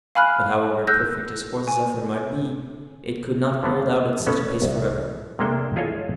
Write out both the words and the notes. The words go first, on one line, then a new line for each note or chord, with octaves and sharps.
But, however perfect his horse Zephyr might be, it could not hold out at such a pace forever.
F5 G#5 B5 F6 F#6
E6 F#6 G6 A#6
G#5
D3 A3 B3 C4
A3 B3 C#4 A4
C2
C3 G#3 A#3 D4 A4 G5
E4 F4 G#4 A4 C#5 D#5